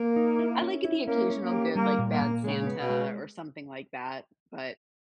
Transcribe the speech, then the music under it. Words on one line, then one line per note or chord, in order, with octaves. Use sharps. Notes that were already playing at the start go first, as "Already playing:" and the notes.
I like a the occasional good, like, Bad Santa, or something like that, but
Already playing: A#3
D#4
E4
C#4
E4
A#3 C#4
C#4
A#3
G4
G3 A#3
A#2
A#3
A#2
C#3 G#3
B3
B2
G#3